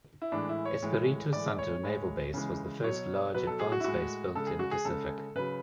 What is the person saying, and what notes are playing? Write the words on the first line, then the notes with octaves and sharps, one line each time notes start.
Espiritu Santo Naval Base was the first large advance base built in the Pacific.
E4
A2 E3 G#3 D4
E4
C#5
A2 E3 G#3
A2 E3 G#3 D5
C#5
A2 G#3
C#3 E3 G#3
B2 F#3 C#5
B2 F#3 B4
A4
G#4
F#4
E4
A2 G#3 F#4
C#3 G#3 A4
G#4
F#4
G#4
C#3 G#3 A4
C#3 F#3 B4